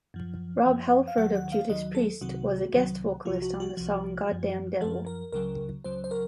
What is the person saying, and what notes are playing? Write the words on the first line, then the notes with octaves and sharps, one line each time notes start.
Rob Halford of Judas Priest was a guest vocalist on the song "Goddamn Devil".
F#2 F3
F#2 F3
F5
D#2 D#3 F#3 F#5
F#5
F5
D#2 D#3 F#3 D#5
A4
C2 C3 D#3 F#3 F#4
C2 C3 D#3 F#3
C2 C3 F3 F4
F#4
F#4
C2 C3 F3
F#2 F3
F#2 F3 A4
A#4
C#2 C#3 F#3 A#4
C#2 C#3 F#3 C5
C5
A#4